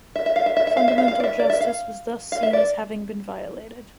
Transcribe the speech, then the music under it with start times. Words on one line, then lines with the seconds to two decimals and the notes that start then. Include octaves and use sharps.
Fundamental justice was thus seen as having been violated.
0.16 E5
0.26 E5
0.36 F5
0.46 E5
0.57 E5
0.67 E5
0.77 F5
0.88 E5
0.98 F5
1.08 F5
1.20 D5
1.24 E5
1.39 D5
1.50 E5
1.61 F5
2.32 F5
2.43 E5
2.53 D5